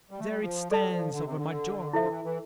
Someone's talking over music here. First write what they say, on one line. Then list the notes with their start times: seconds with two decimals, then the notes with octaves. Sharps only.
There it stands over my door.
0.11 G3
0.20 A3
0.29 G3
0.41 F3
0.71 G3 A4 D5 A5
0.92 F3
1.12 D3
1.25 C3
1.38 D3
1.93 F3 E4 A4 E5
2.02 D3
2.09 E3
2.25 E3